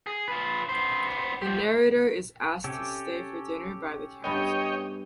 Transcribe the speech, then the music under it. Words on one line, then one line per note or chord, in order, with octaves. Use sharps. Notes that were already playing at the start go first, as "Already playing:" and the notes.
The narrator is asked to stay for dinner by the count.
G#4
F4 B4
B3 C5
F3 G4
C3 C#4 G4 A4
G2 B3 C#5 D#5 G5